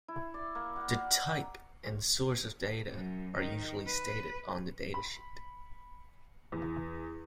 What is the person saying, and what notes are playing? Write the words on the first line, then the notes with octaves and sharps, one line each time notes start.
The type and source of data are usually stated on the datasheet.
E4
D5
A#3
F#5
F#2
D#3
B4
B5
E2